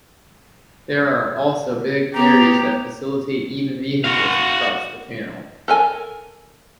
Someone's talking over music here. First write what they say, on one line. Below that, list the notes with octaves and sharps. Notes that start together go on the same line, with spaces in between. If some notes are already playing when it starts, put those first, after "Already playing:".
There are also big ferries that facilitate even vehicles to cross the channel.
B3 G4 A#5
F#4 F5
A4 A#4 G#5